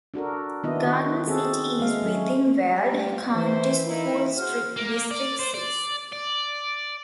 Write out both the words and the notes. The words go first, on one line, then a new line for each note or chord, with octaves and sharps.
Garden City is within Weld County School District Six.
D4 F#4 A4 A#4
D#3 B3 D4 E4 F#4 D#5
D#3 F#4
C4 F#4 G#4 A4
G#3 A3 F5
F#3 A3 C#4
G3
D#3 E3 E4 C5
A#3 D#4 E4
F#4 G#4 C5 F6
A#3
D5
C5
D5
D5